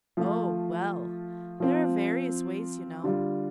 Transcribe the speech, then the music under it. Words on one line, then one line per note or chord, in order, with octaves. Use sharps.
'Oh, well, there are various ways, you know.
F3 A3 F4
F3 C4 F4
D3 G3 F4